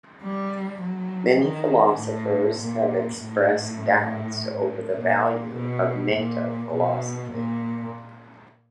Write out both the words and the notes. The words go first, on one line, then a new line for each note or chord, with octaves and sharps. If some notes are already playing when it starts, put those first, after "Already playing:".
Many philosophers have expressed doubts over the value of metaphilosophy.
G3
F#3
D#3
A2
A#2
A2
A#2
B2
A#2
B2
A#2